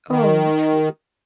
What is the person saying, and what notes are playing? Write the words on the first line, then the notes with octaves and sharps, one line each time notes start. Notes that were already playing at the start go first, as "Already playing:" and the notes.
Oh, true.
D#3